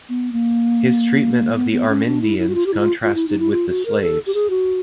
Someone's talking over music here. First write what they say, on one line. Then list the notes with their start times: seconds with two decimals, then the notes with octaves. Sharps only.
His treatment of the Amerindians contrasted with the slaves.
0.09 B3
0.33 A#3
1.56 B3
1.72 B3
1.89 C#4
2.05 D4
2.22 E4
2.38 E4
2.49 F#4
2.55 F4
2.66 G4
2.74 E4
2.79 F4
3.03 F4
3.15 E4
3.28 D#4
3.39 E4
3.52 F4
3.69 F#4
3.86 A#4
4.02 A4
4.26 G4
4.34 G#4
4.50 F#4